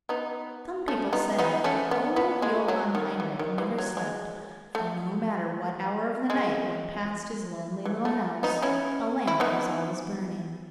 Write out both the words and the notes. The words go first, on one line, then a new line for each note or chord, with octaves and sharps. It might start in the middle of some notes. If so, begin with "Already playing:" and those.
Some people said that old Johann Heinrich never slept, for no matter what hour of the night one passed his lonely little house, a lamp was always burning.
B3 D#4
A3 C#4
B3 D#4
B3 D#4
A3 C#4
B3
B3
G#3
F#3
D#3
E3
D#3
E3
F#3
G#3
A3
G#3
E3
A3
B3 D#4
C#4 E4
E4
B3 D#4